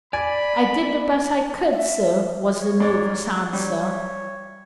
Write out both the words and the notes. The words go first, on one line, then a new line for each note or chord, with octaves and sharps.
"I did the best I could, sir," was the nervous answer.
D5 G#5 B5
E5
C#5
G#2 D5
G3 C#5